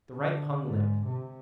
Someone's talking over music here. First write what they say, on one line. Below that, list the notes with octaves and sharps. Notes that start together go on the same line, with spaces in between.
The right hung limp.
D3
G#2
C3